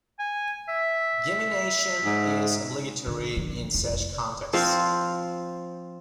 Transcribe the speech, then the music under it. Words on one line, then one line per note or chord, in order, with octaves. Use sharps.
Gemination is obligatory in such contexts.
G#5
E5
G#2
D3
D3 F3
F1 E4
F3 C4 C5 F5